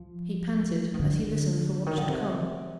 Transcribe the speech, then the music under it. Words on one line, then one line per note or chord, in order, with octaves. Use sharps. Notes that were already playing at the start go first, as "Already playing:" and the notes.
He panted as he listened for what should come.
Already playing: F3
D#3
D3
D#3
D3
C3